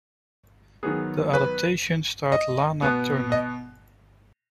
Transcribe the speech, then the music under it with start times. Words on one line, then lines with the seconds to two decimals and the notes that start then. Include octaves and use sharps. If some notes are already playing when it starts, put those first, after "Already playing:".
The adaptation starred Lana Turner.
0.83 D#3 F#3 B3 G#4
1.33 B4
2.32 D#5
2.82 B2 B3
3.32 D#5